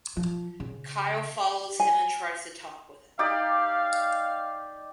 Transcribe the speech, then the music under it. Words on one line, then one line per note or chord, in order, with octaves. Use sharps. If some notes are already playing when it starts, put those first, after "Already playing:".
Kyle follows him and tries to talk with him.
F3
C#3
G#5
D#4 G4 D5 F5